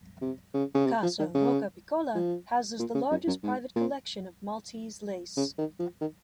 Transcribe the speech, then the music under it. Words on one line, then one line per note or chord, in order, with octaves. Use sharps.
Casa Rocca Piccola houses the largest private collection of Maltese lace.
C3
C#3
C#3
C3
F3
D#3
C#3
F3
A#2
C#3
F#2
F#2
G#2
A#2
C#3
D#3
F3
D#3